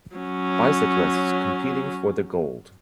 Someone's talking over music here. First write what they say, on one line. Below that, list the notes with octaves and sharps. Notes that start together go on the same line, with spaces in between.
Bicyclists competing for the gold.
F#3 C#4